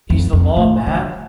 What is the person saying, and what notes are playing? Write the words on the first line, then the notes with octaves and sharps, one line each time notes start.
Is the law mad?
F2
F2
A2
D3